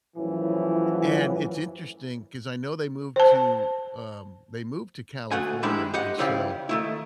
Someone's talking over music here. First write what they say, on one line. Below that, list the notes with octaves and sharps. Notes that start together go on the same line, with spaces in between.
and it's interesting 'cause I know they moved to um, they moved to California, and so,
F#2 A2 E3 F3
C5 A5
D2 A3 F#5 G#5
D#3 G3 G#3 D4 E4
G4 D#5 F#5
F2 C#3 E4 G4 D5 F5
D#3 A3 E4